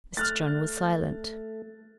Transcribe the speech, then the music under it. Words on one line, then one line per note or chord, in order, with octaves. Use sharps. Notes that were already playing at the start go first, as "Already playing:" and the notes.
Mr. John was silent.
A3 F6 F#6 A6